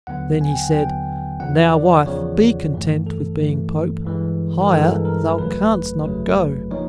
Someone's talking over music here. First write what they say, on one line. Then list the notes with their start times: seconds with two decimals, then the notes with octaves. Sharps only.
Then he said, "Now, wife, be content with being pope; higher thou canst not go."
0.07 D#2 D3 F#3 B3 F#5
0.41 G#5
0.51 G5
0.61 F#5
0.72 D#2 D3 F#3 B3 G5
1.40 E2 C#3 F3 F#5
1.73 D5
2.06 E2 C#3 F3 C#5
2.73 G2 E3 A3
3.07 A4
3.40 G2 E3 A3
4.05 G2 E3 G#3
4.62 A#4
4.72 G2 E3 G#3 A4
5.05 A#4
5.38 G1 F2 C#3 F#3 A3 B4
6.05 G1 F2 C#3 F#3 A3
6.71 F3 A#3 D#4 C#5